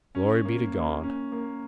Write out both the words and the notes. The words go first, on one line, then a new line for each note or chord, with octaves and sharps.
Glory be to God.
C#4
A#3
A#3
C#4
A#3